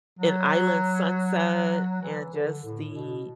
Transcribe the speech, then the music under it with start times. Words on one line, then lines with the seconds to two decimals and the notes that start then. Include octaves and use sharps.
an island sunset and just the
0.19 F#3
2.02 E3
2.33 D3
2.64 A2
2.94 B2